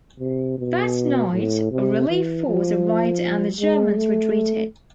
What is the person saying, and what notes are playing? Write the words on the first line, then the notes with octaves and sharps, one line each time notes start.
That night, a relief force arrived and the Germans retreated.
C3
B2
A2
C3
E3
F3
G#3
A3